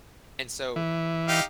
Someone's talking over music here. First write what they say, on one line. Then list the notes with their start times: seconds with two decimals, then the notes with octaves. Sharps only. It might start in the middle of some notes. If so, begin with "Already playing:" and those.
And so,
0.76 E3
1.28 D#4 G4 F5